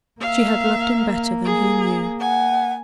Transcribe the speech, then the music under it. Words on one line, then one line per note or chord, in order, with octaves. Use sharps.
She had loved him better than he knew.
A#3 E5 F5
G#4
F#5 G#5